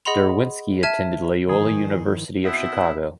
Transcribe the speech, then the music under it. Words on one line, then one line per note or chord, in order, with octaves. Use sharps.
Derwinski attended Loyola University of Chicago.
G#4 D#5 F#5 B5 C6 F7
E5 A5 F6 G#6 D#7
G2 D#3 F3 E4 G#4
B2 C4 D#4 E4 E5 F#5